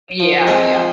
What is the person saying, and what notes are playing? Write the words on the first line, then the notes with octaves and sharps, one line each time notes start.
Yeah, yeah.
F3
G#3 C4 D#4 G#4
F3